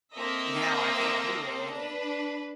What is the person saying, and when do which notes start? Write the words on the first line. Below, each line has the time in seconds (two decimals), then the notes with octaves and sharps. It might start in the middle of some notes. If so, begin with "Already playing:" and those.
now I can't do it, and,
0.13 A#3 C4 A4 D#5 E5 A#5
1.71 D4 B4